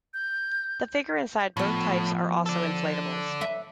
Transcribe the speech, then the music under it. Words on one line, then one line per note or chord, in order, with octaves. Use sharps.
The figures inside both types are also inflatables.
G6
A2 F3 B3
A4 D5
B4 E5